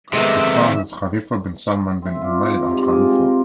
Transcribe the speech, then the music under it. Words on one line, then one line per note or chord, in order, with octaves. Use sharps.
His father is Khalifa bin Salman bin Humaid Al Khalifa.
C3 D#3 G#3 B3 A4 E5
C4 E5
F4 D5
G#2 C3 G3 C4
F4 G#4 A#4 D6
G5
A#4